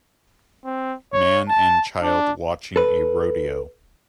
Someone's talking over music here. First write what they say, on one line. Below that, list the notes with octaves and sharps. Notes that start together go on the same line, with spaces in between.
Man and child watching a rodeo.
C4
C#5
A5
D4
A4 B4